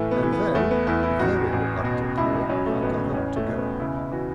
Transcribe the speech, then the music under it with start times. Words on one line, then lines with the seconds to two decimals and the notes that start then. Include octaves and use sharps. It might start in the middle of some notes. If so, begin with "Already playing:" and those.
And then, very reluctantly, I got up to go.
Already playing: A2 E3 A3
0.11 B3
0.23 E3
0.33 B3
0.54 E2 A3
0.71 B3
0.87 E2 E4
1.03 E4
1.19 A1 F#4
1.52 A1
1.84 B2 F#4
2.18 C#2 E4
2.50 F#3 C#4
2.66 A3
2.82 A1 B3
3.14 E2 C#4
3.36 A3
3.47 B2
3.58 B3
3.80 C#3 E4
3.96 E4
4.11 E3 F#4